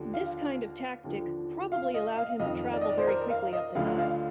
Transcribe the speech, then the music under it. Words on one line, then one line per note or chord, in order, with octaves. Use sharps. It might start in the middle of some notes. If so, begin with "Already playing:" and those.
This kind of tactic probably allowed him to travel very quickly up the Nile.
Already playing: D#2 D3 F3
F5
D#2 D3 F3
F5
D#5
F5
F2 D#3 D#5
D5
D#5
D5
C5
A#4
F5
D#5
D2 D3 F3 F5
F5